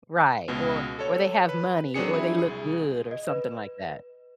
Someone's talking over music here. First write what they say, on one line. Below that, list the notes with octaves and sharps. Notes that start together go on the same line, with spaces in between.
Right. Or or they have money or they look good or something like that.
C#2 B2
A4 C#5
B4
F#3 C4 D4 G#4 C#7
E4
C2 G#4
D#5
B4